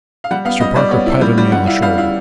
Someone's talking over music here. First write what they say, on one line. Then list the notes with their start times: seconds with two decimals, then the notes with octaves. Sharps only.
Mr. Parker patted me on the shoulder.
0.24 F5
0.31 G3 F#5
0.45 B3 F5
0.60 G3 D#5
0.76 G3 D5
0.91 B3 C#5
1.06 E4
1.21 G3
1.38 G3
1.52 G3 F#5
1.67 E4 F5
1.82 G3 F5
1.98 E4 F5